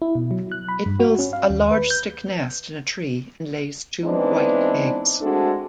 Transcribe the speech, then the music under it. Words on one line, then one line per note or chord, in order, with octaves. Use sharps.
It builds a large stick nest in a tree and lays two white eggs.
E4
B2
F#3
F#6
B5
G2
F#4
C#4
F5
D#2
B4
G6
E3 G#3 B3 C4 D4 D#4
G#3 A3 C4 D4 F#4 A4